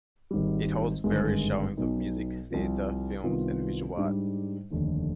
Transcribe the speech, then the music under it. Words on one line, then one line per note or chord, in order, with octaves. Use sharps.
It holds various showings of music, theatre, films and visual art.
G#1 G#2 D#3 G3
G#1 G2 D3 G#3
B1 B2 B3 D#4
C2 C3 F3
C2 C3 D#3 B3 F4
G#2 G3 D4
F1 D#2 D3